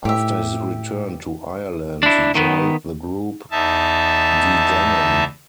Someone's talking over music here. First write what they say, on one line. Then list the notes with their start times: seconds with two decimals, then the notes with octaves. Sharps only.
After his return to Ireland, he joined the group De Dannan.
0.05 A2 G4 E5
2.03 D4 E4
2.35 D#3 B3
3.51 E2 D#4 E5 A5